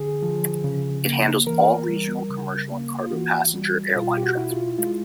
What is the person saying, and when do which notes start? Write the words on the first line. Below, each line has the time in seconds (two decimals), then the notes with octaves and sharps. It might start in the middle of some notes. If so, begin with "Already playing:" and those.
It handles all regional commercial and cargo passenger airline traffic.
Already playing: D3 G#4
0.22 F3
0.64 C#3
1.05 A#3
1.47 E3 A#4
1.88 G3
2.29 C#3
2.71 A#3
3.06 F4
3.13 E3 F#4
3.54 G3
3.96 B2 F4
4.17 G4
4.23 F#4
4.37 E4
4.51 F4
4.78 G#3 F4